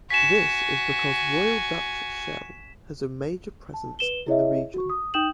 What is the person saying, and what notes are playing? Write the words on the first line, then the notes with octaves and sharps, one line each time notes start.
This is because Royal Dutch Shell has a major presence in the region.
F#4 G#5 B6 E7
A5
B4 E7 G7
E4 G#4 C#5 D#5 E5
F#4 C#6
D#6
D#4 G5 D#6 G6 E7 F#7